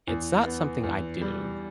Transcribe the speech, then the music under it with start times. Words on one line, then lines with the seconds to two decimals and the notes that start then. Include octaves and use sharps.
it's not something I do
0.07 E2
0.45 B3
0.83 E2
1.21 G3